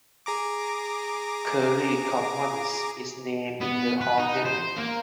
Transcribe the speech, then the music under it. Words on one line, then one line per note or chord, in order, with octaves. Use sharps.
Curry Commons is named in her honor.
G#4 A#5 D6
B3
B4
D#4
C5
A#3